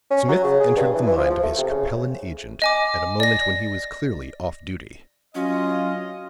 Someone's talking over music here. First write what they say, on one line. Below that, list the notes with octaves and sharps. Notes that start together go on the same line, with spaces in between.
Smith entered the mind of his Capellan agent at a moment when he was clearly off duty.
C#4
F#3
C#3
G#4
G2
E3
E3
F3
F3
A3
C3
C#3
D#5 G#5 D6
D5 A#6
F#3 C#4 F4 D#5